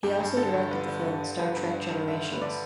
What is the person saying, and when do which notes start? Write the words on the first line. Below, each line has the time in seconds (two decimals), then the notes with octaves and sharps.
He also directed the film "Star Trek Generations".
0.03 G2 G4
0.20 G2
0.37 D3 A4
0.54 G2
0.71 D3 B4
0.88 D3
1.05 G2
1.23 D3
1.39 G2 B4
1.57 G2
1.74 D3
1.90 G2
2.08 D3 E5
2.24 D3
2.33 B4
2.41 D3 D5